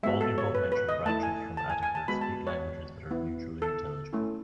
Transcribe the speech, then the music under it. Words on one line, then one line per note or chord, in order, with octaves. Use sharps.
All the above-mentioned branches from Ateker speak languages that are mutually intelligible.
G#3 B3 F#4 E5
A4
C#5
B4
B4
D#5
A3 E4 A5
G#5
A5
G#5
G#5
A5
G#3 B3 F#4 B5
A5
C#5
B3 E4
A4
A3 C#4 E4